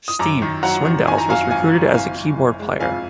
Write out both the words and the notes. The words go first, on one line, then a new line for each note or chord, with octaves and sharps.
Steve Swindells was recruited as keyboard player.
D#6
F#2 A#5 D6
D#3
F#3 F#5 A#5
D#3
D#3 G#5
A#5
F#2 F5 G#5
G#1 F5 G#5
G#1
F#1 F5 G#5
F#1
F#1
G#3
F2 F5 G#5